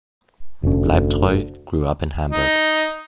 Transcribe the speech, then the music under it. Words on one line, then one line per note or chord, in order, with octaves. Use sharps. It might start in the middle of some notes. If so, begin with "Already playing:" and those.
Bleibtreu grew up in Hamburg.
F1 D2 C#4
D#4